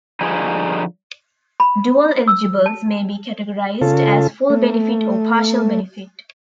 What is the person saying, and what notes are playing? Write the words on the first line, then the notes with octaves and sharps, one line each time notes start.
Dual-eligibles may be categorized as full-benefit or partial-benefit.
D3 F3 G3 D#4 G#4
B5
E6
A5
C#3 F4 A4
A3